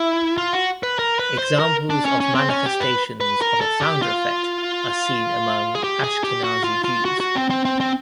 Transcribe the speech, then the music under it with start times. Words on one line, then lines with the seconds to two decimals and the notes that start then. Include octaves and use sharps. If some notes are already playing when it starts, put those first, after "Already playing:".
Examples of manifestations of a founder effect are seen among Ashkenazi Jews.
Already playing: E4
0.38 F4
0.53 F#4
0.83 B4
0.99 A#4
1.19 B4
1.38 C5
1.59 A#4
1.90 D4
2.05 C#4
2.20 C#4
2.35 C4
2.50 C#4
2.66 G4
2.80 B4
3.21 B4
3.42 A#4
3.61 A4
3.81 G4
4.02 F4
5.75 G#4
5.84 G4
6.03 G#4
6.24 G4
6.44 F#4
6.64 F4
6.84 F4
7.05 F#4
7.20 F#4
7.36 C4
7.50 C4
7.65 C4
7.80 C4